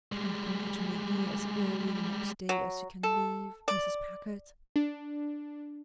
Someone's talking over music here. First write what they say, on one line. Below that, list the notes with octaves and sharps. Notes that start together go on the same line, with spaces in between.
"And bring it to me here as early the next day as you can leave Mrs. Packard?"
G3 G#3
F#3
A4
D5
D4